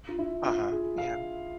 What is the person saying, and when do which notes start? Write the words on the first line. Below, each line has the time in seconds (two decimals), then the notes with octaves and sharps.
Uh-huh, yeah.
0.09 F4
0.19 E4
0.46 F4
0.72 G#4
0.98 F5